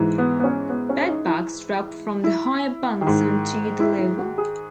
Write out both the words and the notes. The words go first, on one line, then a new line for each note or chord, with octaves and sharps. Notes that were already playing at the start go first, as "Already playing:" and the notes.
Bedbugs drop from the higher bunks onto the lower.
Already playing: G#2 E3
B3
B3
C#4
B3
C#4
C#4
D#4
E4
E4
D#3
G#2
E4
E4
F#4
G#4